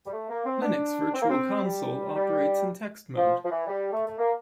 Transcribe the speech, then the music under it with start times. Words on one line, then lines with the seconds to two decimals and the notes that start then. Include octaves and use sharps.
Linux virtual console operates in text mode.
0.06 G3
0.12 A3
0.29 A#3
0.45 C4
0.62 D4
1.14 C4
1.21 A#3
1.29 C4
1.64 G3
2.15 G3
3.16 F3
3.44 F3
3.50 E3
3.67 G3
3.92 A3
4.06 A3
4.17 A#3